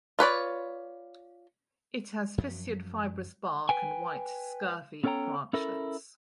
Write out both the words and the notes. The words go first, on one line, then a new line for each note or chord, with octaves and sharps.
It has fissured fibrous bark and white scurfy branchlets.
F4 B4 C#5 D5
F#2 F3 F#3
B4 G5 G#5
B3 C#4 A4 C#5 G5 A#5
C#4 E4 A4 A#4